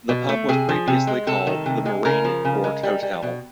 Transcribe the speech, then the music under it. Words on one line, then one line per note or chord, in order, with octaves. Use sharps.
The pub was previously called the Marine Court Hotel.
B2
A3
C3 G#4
F3
C3
G#3
C3 A4
D#3
C3
G#3
C#3 A#4
F3
C#3
G#3
G3
G3
B2